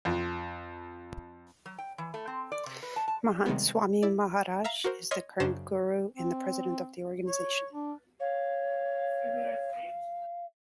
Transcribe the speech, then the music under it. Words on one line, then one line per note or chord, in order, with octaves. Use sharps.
Mahant Swami Maharaj is the current Guru and the president of the organization.
F2
F#3
G5
E3
A3
C4
D5
C3
B4
A5
A5
C3 D#3 G3 G#3 B3
E4 D5
E5 F5 A#5
F#4 A#4 C5
C#5 D#5 C6 F6 G#6 B6
F#2 C#3 C#4 D4 C5 E7
C4
C#5
D4
C#5 F5